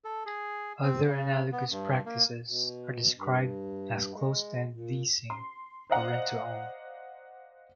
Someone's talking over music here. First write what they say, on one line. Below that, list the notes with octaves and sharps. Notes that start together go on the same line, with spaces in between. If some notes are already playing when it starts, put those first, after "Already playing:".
Other analogous practices are described as closed-end leasing or rent to own.
A4
G#4
C4
C#3
B3
G2
A#3
B2
G2
G#3
A#2
C6
C5 D5 D#5 F5 F#5 A#5